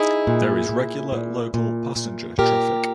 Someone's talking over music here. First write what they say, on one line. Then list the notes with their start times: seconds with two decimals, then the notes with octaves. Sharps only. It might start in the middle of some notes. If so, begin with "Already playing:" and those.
There is regular local passenger traffic.
Already playing: D#4 E4 G#4
0.27 A#2
0.69 A#2
1.12 A#2
1.54 A#2
1.96 A#2
2.38 A#2 G4 A#4